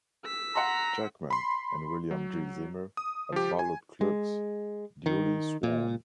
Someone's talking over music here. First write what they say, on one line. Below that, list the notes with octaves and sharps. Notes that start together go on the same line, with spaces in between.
Jackman and William G. Ziemer as ballot clerks, duly sworn.
E6 B6
F#5 A#5 C6
B5 C6
F#3
D#6
F3 G4
G#5
G#3
D#3
A#2